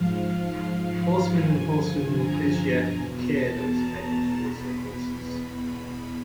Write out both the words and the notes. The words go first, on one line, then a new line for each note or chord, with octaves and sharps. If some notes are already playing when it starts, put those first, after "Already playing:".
Horsemen and Horsewomen appreciated the care that was taken towards their horses.
Already playing: G#2 F3 F5
G2 D3 F3 G#5
A#5
E2 B2
A5
A#5
E2 B2 B5
B5
B5